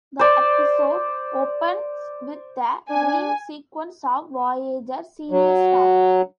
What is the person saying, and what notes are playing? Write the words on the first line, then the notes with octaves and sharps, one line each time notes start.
The episode opens with the dream sequences of "Voyager" senior staff.
C5 D5
D4 G#5
F#3